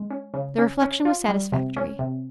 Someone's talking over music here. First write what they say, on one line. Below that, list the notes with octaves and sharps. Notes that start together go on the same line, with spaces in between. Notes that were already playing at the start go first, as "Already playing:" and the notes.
The reflection was satisfactory.
Already playing: G#3
C#4
C#3
C#4
C#4
F4
G3
C3
C#4
C3